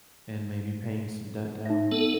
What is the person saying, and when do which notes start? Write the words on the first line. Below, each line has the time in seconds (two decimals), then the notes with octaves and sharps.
and maybe paying some debt down.
1.66 D#4 E5
1.92 B3 A4